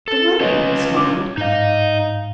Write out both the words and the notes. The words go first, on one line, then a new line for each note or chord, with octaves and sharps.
"The wedding," he smiled.
A4 A6
C#4 F4 B4 C#5 D#5
D6
G#2 D#4 D#5 F5